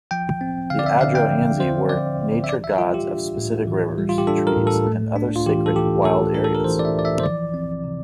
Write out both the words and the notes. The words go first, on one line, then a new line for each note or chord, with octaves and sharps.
The Adroanzi were nature gods of specific rivers, trees and other sacred wild areas.
F3 G5
C4
D3 F5
D5
E5
D3 F5
G5
F3
C4 C5
D3 D5
D3
E5
E3 D5
E5
G3 F4
G4
D4
A2
E3
G3
F4
G4
D4 A4
A#4
A2
A4
A3
D4
F4
E3 G4
A4
E3 G4
A3 A4
D4 A#4
A4
A#4
E3 C5
D5
E5
E3 D5
E5
C5
F3 D5
C4
C3